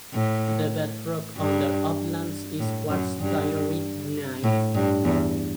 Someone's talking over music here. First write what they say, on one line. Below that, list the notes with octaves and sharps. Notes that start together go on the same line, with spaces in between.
The bedrock under Uplands is quartz diorite gneiss.
A2
G2
A2
F#2
G2
A2
G2
E2